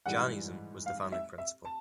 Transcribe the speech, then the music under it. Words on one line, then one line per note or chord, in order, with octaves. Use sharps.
Jann Eason was the founding Principal.
G#2 E3 G3 F#5
F5
E5
E5
A5